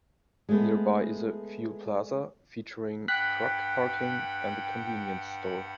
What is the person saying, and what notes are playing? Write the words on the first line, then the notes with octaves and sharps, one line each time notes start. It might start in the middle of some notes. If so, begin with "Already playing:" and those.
Nearby is a fuel plaza, featuring truck parking and a convenience store.
G#3 A3 B3
G2 F#5 G5 B5 F#6 B6